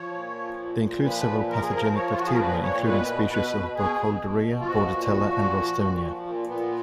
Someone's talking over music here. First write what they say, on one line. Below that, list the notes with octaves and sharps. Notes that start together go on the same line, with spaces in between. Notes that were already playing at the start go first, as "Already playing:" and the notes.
They include several pathogenic bacteria, including species of "Burkholderia", "Bordetella", and "Ralstonia".
Already playing: F3 C#5
A#2
F3
A#2
A#2
F3 B4
A#2
F3 A#4
G#4
F3 A#4
F3 C#5
F4
F3 F#4
G#4
A#4
A#2 B4
A#2 C#5
B2 B4
B2
B2 B4
B2
B2 G#4
B2
B2
B2
F4
F3 F#4
A#2
F3
A#2
F3
A#2
F3
A#2
A#2 B3